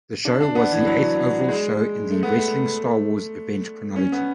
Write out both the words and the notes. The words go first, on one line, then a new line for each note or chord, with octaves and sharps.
The show was the eighth overall show in the "Wrestling Star Wars" event chronology.
D4
D4
B3
E3
F#3
G#3
A3
B3
A3
C#4
B3